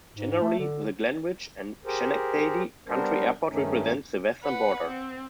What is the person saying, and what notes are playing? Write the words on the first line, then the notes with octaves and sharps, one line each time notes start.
Generally, the Glenridge and Schenectady Country Airport represents the western border.
G#2
A3
D3
G4 G#4 A#4 C5
G3 B3 D4 A#4 C5
G2 D#3 A3 C#4 D#4
B4 F#5
C4